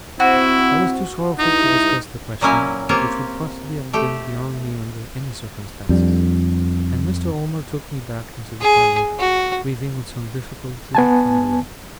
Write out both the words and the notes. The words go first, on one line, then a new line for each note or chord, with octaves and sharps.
I was too sorrowful to discuss the question, which would possibly have been beyond me under any circumstances; and Mr. Omer took me back into the parlour, breathing with some difficulty on the way.
C4 E4 F#4
G2 D#4 E4
A#2 F#3 A#3 C#4 E4 G#5
A#3 C4 F4 G4 C#5
A3 G4
F2 G3 D4
G#4
F#4
B3 G#5 A5